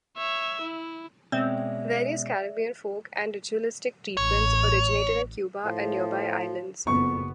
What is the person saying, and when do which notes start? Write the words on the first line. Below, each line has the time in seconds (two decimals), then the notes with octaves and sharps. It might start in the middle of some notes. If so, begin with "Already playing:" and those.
Various Caribbean folk and ritualistic treatments originated in Cuba and nearby islands.
0.17 C#5 E5
0.62 E4
1.32 B2 G#3 C4 C#4 D5 E5
4.17 A1 C#5
5.65 A2 F3
6.87 F#1 F2 B3 C#6